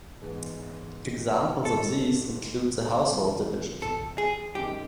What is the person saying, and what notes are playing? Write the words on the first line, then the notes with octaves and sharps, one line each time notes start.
Examples of these include the Household Division.
G#2 E3 G#3 B3
G#2 D#3 G3 A4
C3 E3 G3 C4 F4
A4
G#4
F#2 D#3 G#3 C4 D#4 G4